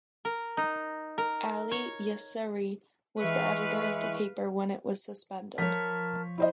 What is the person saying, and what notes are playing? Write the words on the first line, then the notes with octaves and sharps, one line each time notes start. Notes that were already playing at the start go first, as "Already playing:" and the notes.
Ali Yasseri was the editor of the paper when it was suspended.
A#4
D#4
A#4
C#5
E3 G#3 B4 E5 F5 C#6
F3 A#4 C#5 A5 B6
E4 C5 D#5